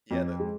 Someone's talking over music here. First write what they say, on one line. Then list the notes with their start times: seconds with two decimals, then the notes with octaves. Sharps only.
Yeah, the
0.11 F2
0.40 G#3